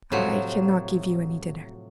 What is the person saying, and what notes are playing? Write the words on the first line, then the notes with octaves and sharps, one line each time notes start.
"I cannot give you any dinner."
A2 C3 F3 F#3